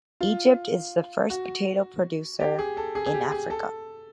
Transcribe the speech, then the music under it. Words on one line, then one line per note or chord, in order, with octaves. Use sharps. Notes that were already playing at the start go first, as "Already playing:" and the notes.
Egypt is the first potato producer in Africa.
F4
F#4
G4
G#4
A4
G#4
G#4
G4
G#4
A4